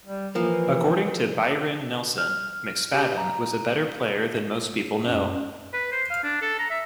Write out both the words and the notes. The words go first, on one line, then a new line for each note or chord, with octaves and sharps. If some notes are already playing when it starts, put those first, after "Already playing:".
According to Byron Nelson, McSpaden was "a better player than most people know".
G3
E3 F3 A#3
F6
G4
A#5
F#2
B4
C5
F5
D4
A4
A#5
E5